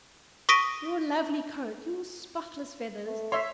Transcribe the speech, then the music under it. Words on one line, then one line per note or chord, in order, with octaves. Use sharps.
Your lovely coat, your spotless feathers!
C#6 D#6 A#6 B6 D7 D#7
A3
C#5 E5 C6